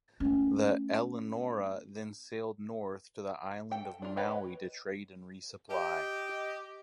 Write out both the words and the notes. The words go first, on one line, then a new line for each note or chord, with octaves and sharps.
The "Eleanora" then sailed north to the island of Maui to trade and resupply.
A3 C#4
A4 G5
D4 F4
B4 C#5 D#5 F#5 G5
G4 D#5